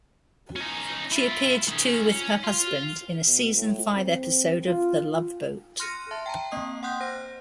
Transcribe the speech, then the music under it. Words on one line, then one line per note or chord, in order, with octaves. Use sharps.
She appeared too with her husband in a season-five episode of "The Love Boat".
C#4 D#4
E4 F4
D#3 C#4
C#4
F4
B2
A2
C4
F4
F4
C6 F6 F#6 A#6 C#7 D#7
E5 A5 C6
G5 A5 A#5
A#3 C4 D#5 D#6 C7
F#5 G5 C6 D#6 F#6 G6
C5 A#6